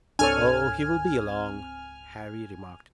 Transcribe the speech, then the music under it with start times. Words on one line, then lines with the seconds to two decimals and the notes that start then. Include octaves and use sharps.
"Oh, he will be along," Harry remarked.
0.19 C#2 G#2 C4 D4 A4 C#5 G#5 F6